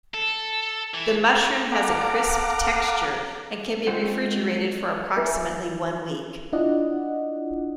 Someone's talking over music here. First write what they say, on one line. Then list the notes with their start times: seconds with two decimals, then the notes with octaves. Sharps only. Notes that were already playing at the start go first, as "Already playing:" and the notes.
The mushroom has a crisp texture and can be refrigerated for approximately one week.
0.14 A4
0.94 E3
1.72 A4 F5 F#5 A#5 D6
3.87 G#3 A3 C4 F4 C5 F#5
5.17 B4 E5 G#5
6.53 D4 E4 F4 D5 D#5 F#5